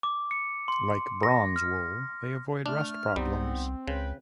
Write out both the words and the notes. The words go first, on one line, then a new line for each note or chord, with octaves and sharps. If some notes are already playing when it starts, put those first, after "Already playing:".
Like bronze wool, they avoid rust problems.
D6
C#7
C6
A#6
F6
A3 D4 F6
C2 G3 B3 C4 D#4
C#2 C#3 B4 G5